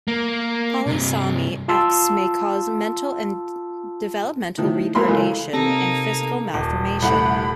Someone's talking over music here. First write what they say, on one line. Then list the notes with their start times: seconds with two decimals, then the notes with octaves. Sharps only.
Polysomy X may cause mental and developmental retardation and physical malformation.
0.08 A#3
0.87 G2 C3
1.68 F4 A5 C6 E6
4.57 A2 D#3 F3
4.95 G#1 F#3 A#3 A#4 B5 C6
5.08 C#3 E3 G#3 A4
5.53 C3 A#3 D#4 A4 A#6
6.54 D#1
7.02 C2 A3 F#5 B5